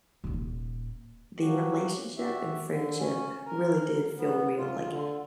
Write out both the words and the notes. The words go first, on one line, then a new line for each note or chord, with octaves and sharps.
the relationship and friendship really did feel real. Like,
D#1 A#2
F3 F#3 F#4 G4
F#4 G4 E5
D3
C#4
A#4
B3
F4
D3